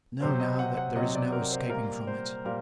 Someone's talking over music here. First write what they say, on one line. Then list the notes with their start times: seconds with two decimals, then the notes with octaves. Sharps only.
I know now that there is no escaping from it.
0.21 C3 F#3 C4 C5
0.40 D#5
0.59 F#5
0.77 F#5
0.96 C3 F#3 C4 D#5
1.15 D5
1.32 A#4
1.52 C5
1.70 A#2 G3 A#3 A#4
2.07 C5
2.45 A#2 G3 A#3 A#4